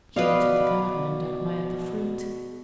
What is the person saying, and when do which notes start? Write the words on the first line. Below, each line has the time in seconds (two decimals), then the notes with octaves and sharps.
She entered the garden and admired the fruit.
0.16 B2 B4 D5 D#5 F5